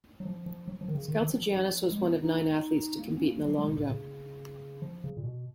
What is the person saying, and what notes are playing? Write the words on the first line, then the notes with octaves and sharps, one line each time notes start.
Skaltsogiannis was one of nine athletes to compete in the long jump.
F#3
F3
F3
F#3
F3
D#3
C#3
D#3
D#3
F3
G#3
B3
D#4
A#3
B3
C#4
A#3
F#3
F#3
G#3
B2
A#2
C#3
F3
C#3
A#2
B2